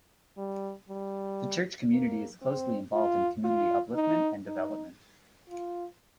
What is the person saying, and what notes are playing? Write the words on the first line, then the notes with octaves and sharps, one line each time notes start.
The church community is closely involved in community upliftment and development.
G3
G3
A#3
C4
F4
F4
D#4
D#4
F4